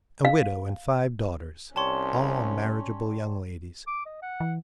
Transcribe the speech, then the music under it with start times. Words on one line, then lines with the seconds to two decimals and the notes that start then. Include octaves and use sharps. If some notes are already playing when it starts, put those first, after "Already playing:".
A widow and five daughters, all marriageable young ladies.
0.25 F5
1.76 C2 G3 C#4 C#5 A5 C6
3.87 D6
4.06 D#5
4.22 F#5
4.40 E3